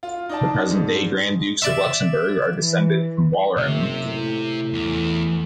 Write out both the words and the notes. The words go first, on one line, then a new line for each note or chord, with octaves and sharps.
The present-day Grand Dukes of Luxemburg are descended from Walram.
F4
D#4 D5 A5
G#2
D5 E5
E3
F#1 C3
A2
E2